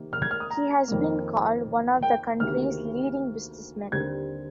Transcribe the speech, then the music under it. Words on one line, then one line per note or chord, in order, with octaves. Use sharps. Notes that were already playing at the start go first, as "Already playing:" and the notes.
He has been called "one of the country's leading businessmen".
Already playing: C3 D#3 A#3
F6
G#6
F6
D#6
A#5
F2 D#3 A#3
G5
D2 C3 D#3 A#3 F6
D#2 D3 G3 C4 G#6